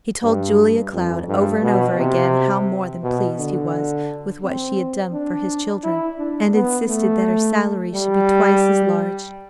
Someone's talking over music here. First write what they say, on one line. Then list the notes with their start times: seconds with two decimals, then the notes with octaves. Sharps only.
He told Julia Cloud over and over again how more than pleased he was with what she had done for his children, and insisted that her salary should be twice as large.
0.23 G2
0.93 F2
1.28 G2
1.63 B2
1.98 C3
3.03 B2
3.39 D3
4.44 C4
5.13 D4
5.83 E4
6.18 D4
6.53 B3
6.89 A3
7.94 G3